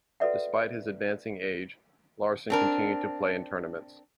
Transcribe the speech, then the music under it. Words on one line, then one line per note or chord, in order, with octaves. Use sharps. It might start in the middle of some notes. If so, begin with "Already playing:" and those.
Despite his advancing age, Larsen continued to play in tournaments.
F#4 A4 B4 D5 E5 F#5
C4 D4 A#4